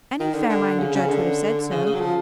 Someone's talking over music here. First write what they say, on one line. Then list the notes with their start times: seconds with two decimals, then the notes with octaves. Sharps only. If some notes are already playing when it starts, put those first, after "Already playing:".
Any fair-minded judge would have said so.
0.20 D#3
0.34 D3
0.49 D3
0.79 C#3
0.95 C#3
1.09 D3
1.70 C#3
1.85 C#3
1.95 F#3
2.00 F3